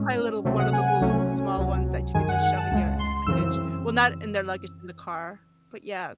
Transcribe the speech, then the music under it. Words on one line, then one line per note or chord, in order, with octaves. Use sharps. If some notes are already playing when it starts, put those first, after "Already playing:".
Probably a little one of those little small ones that you could just shove in your luggage. Well, not in their luggage, in the car, but, yeah.
Already playing: A2 G#3 C#4
C#2 C3 F#3 A3 C4
F#5
G#5
G#5
C2 C3 F#3 A3 C#4
C#2 C3 F#3
F#2 D#3 G#3 G#5
F#5
F#5
A5
C#2 C#3 G#3
C6
F#2 C#3 E3 C4 E6